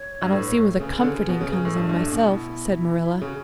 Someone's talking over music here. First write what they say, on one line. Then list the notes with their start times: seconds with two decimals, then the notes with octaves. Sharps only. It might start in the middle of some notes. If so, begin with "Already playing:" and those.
"I don't see where the comforting comes in myself," said Marilla.
Already playing: C#5
0.21 G2
0.32 A2 B4
0.55 A4
0.80 C#3 B4
0.99 D3
1.04 C#3
1.29 B2
1.41 C#3
1.52 C#3
1.65 A2
1.76 G2 D4
1.89 G2
2.00 A2
2.12 B2
2.25 E4
3.21 C#3 F#4